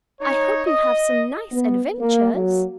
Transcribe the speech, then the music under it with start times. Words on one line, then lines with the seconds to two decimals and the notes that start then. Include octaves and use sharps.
"I hope you have some nice adventures!"
0.21 D#4 C#5
0.64 D#5
1.52 B3
1.99 A#3
2.34 F#3